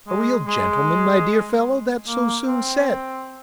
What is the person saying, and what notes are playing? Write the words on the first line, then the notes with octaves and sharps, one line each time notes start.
"A real gentleman, my dear fellow--that's so soon said!"
G#3
G#3
A#3
C4